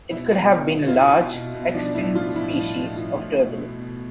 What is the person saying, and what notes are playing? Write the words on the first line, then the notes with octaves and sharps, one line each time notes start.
It could have been a large, extinct species of turtle.
B2 E4
B2
B2
B2
F4
B2 E4
B2
B2
B2
F3 D4
A2 E4
F3 F4
A2 E4
F3
A2
F3
A2
B2
B2
B2